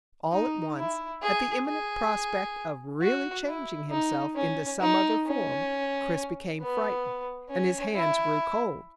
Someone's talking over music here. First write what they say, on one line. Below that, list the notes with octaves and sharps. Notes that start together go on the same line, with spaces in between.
All at once, at the imminent prospect of really changing himself into some other form, Chris became frightened and his hands grew cold.
D#4
E4
G#4
G#4
F#4
E4
D#4
C#4
D#4
C#4
B3
C#4
E4